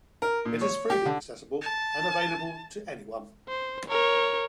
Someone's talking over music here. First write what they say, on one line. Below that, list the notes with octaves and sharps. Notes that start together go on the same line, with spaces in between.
It is freely accessible and available to anyone.
A#4
A#2
C#5
G4
D3
A5
C5
A#4 C#5